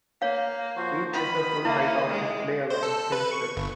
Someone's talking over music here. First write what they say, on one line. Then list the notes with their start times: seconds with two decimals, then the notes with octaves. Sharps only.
Each is the full height of the display-a long, thin strip.
0.22 A#3 C#5 F5
0.76 F3 F#4 C5
1.13 D#3 B5 D#6
1.65 A#3 E4 E5
2.09 G#3
2.70 C5
2.83 A4
3.12 B4
3.31 C#6
3.57 G1